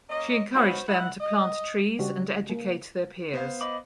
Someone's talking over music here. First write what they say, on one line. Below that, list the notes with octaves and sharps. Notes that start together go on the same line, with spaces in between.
She encouraged them to plant trees and educate their peers.
A#3 C#4 D#5
B3 C#4 D#4 F#4 C5
E4 F#5
D#5
C#3 G3 F#4 G4
A#3
B3 C5 F5
D#5 B5 D6